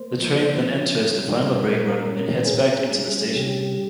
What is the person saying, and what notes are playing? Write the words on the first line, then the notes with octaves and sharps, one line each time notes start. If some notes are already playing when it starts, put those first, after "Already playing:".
The train then enters the final brake run, and heads back into the station.
Already playing: A#3 C5
F3
C#4
G3
A#2 A#4
C#4
C#4 G#4
G3
C3 G4